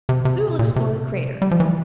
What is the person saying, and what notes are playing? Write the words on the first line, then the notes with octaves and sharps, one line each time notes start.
We will explore the crater.
C3
C3
A#2
C3
G3
F3
E3